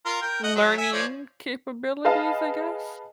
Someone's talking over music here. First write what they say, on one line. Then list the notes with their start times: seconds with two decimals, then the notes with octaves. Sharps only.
learning capabilities, I guess?
0.06 F4 A#4
0.22 A#4 G5
0.44 D#5 F#5
0.56 F#3
0.78 E5 G#5
0.92 F3 C#5 D5
2.05 G#4 B4 D#5 F5 A5